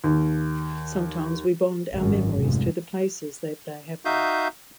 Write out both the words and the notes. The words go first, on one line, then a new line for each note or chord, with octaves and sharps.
Sometimes we bond our memories to the places that they happen.
D#2
G#1 F#2
F1 G#2
D#4 F#4 E5 F5 D#6 G6